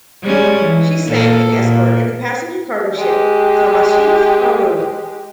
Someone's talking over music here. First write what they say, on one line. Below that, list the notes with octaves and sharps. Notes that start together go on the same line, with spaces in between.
She sank an escort and the passenger-cargo ship, "Tomashima Maru".
G3 G#3 C#4
E3
A#2 A#3 A4
A#2 A#3
G#3 G4